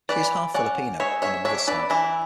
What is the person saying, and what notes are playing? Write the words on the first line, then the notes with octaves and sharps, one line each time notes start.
She is half Filipino on her mother's side.
E3 B4 D5
C#4 D5 F#5
G#3 C#5 E5
C#5 E5
D4 C#5 E5
B4 D5
E3 E4